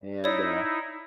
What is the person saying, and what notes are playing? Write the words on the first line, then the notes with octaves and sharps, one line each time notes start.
and, uh
D#4 E4 C#5 D5